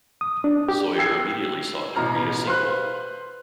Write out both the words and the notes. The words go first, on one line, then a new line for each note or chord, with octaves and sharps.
Sawyer immediately sought to create a sequel.
D#6
D4
G4
G5 E6 G#6 C7
A1 B2 A#5 F6
B4 C5 F5 C6 F#6